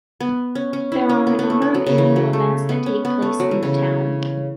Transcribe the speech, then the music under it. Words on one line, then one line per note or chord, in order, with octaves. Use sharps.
There are a number of annual events that take place in the town.
B3
C#4
C#4
E4
C#4
B3
B3
A3
B3
F#3
C#3
E3
F#3
A3
B3
C#4
B3
A3
F#3
E3
C#3